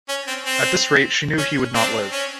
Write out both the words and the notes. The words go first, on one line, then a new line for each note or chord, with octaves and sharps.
At this rate she knew he would not live.
C#4
C4
C4
C#4
C4 D4
C#4